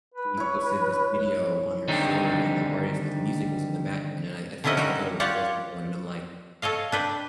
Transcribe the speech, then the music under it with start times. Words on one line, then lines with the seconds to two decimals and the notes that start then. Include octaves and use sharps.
she posted this video on her story and the artist's music was in the background, and I at first I thought it was Post Malone and I'm like,
0.14 B4
0.37 E4 C#5
1.88 D3 D#3 G3 C4 D4 D#4
4.64 D3 D#3 C#4 E4 D#5 F#5
4.77 G3 D#4 F#4 A#4
5.20 F4 G4 C#5 D5 F#5
6.62 A4 C#5 D#5 F5
6.92 D4 B4 G5